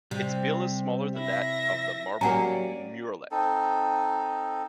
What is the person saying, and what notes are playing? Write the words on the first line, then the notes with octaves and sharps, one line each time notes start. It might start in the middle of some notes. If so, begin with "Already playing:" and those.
Its bill is smaller than that of the marbled murrelet.
C3 G3
E4 E5 A#6
F#3 A#3 C#4 G4 D5 F#5 G#5 A#5
C4 D#4 A4